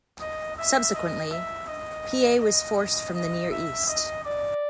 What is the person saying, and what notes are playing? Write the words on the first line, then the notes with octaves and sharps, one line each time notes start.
Subsequently, Piye was forced from the Near East.
D#5
E5
D#5
E5
D#5
D#5
D#5
D#5
E5
D#5
D5